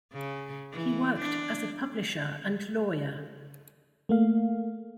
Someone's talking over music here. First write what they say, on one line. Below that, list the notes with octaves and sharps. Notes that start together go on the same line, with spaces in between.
He worked as a publisher and lawyer.
C#3
E3
D4
A3 A#3 F5